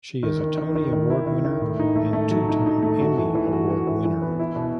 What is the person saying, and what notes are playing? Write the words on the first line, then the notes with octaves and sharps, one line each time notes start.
She is a Tony Award winner and two-time Emmy Award winner.
D#3
D#3
D#3
D#3
D#3
E4
D#3
D#3
A2
D#4
A3
A3
F#3
D#4
D#4
A3
F#4
E3
E3
F#4
F#4
E3
E3
B3
E4
B2